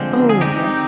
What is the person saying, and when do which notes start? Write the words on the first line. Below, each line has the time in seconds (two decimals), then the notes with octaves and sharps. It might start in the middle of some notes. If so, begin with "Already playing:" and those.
Oh, yes.
Already playing: D3 F3 G#3 C4 D4 F4
0.29 G#4
0.41 D#3 G#3 C4 D#4 G4